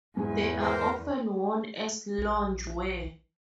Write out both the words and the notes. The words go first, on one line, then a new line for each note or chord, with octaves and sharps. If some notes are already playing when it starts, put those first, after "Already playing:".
They are often worn as loungewear.
E2 G#2 G#3 E4 G#5
E3 A#4 C5
A#1